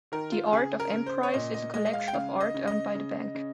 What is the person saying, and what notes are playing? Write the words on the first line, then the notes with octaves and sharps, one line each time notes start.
The Art of Emprise is a collection of art owned by the bank.
D#3 A#4
F4
C#3 G#4
A#4
C#3
C5
C#5
A#2 D#5
D#5
G#3 D#5
D#5
F5
G5
C#3 F5
D#5
C#3
D#5
C#3
C#3